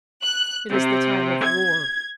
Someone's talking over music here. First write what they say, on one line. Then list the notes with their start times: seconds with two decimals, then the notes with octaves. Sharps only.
It is the time of war.
0.23 F#6
0.71 C3
1.43 G#6